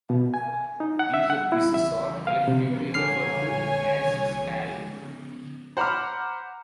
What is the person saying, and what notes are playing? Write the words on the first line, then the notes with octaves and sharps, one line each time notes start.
These pieces are collectively referred to as spall.
B2
G#5
D#4
F#5
E5
F#5
E4
E5
F5
C3
D3 C#5 G#5 F6 C7
C5 F#5 A#5 B5 D6 F6